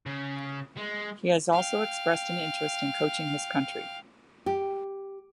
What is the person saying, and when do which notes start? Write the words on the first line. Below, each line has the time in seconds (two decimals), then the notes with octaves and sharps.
He has also expressed an interest in coaching his country.
0.06 C#3
0.77 G#3
1.52 F5 G5
4.46 G4